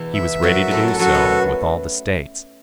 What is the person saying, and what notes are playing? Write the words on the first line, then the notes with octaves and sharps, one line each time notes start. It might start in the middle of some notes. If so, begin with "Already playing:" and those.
He was ready to do so with all the States.
Already playing: E2 B2 E3
E5
F#2 F#3 F#4
A2 A3 A4
A3
F#2 F#3 F#4
B2 B3